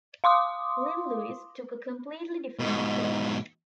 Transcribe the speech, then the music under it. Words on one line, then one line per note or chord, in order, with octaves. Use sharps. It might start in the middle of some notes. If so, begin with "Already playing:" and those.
Lil Louis took a completely different approach.
F5 C6 D6 D#6
G#2 B2